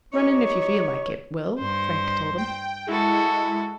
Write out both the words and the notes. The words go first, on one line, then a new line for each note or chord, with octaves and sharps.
"Run in, if you feel like it, Will," Frank told him.
D#4 G4 C#5 C#6
G2 C5
G5
G#3 E4 F#4 A4